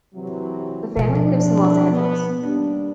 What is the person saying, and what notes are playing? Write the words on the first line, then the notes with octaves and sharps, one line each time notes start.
The family lives in Los Angeles.
C3 E3 F#3
B2 F3
E2 C3 D4
B3
D#2 G3 D4